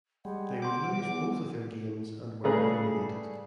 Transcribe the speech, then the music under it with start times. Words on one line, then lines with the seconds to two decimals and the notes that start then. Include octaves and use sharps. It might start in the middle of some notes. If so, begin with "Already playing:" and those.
They would lose both of their games and were eliminated.
0.25 G3 G#3 F#5
0.62 C#5 C6 D6
0.96 E2 B3
2.44 C#3 G3 A3 G#4 B4 A#5